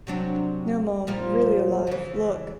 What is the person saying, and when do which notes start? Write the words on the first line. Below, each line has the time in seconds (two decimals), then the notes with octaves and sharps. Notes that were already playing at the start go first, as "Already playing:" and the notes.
No, mum, really alive. Look.
0.07 C3 F#3 D4
1.07 A#2 F3 G3
1.87 C#3 E3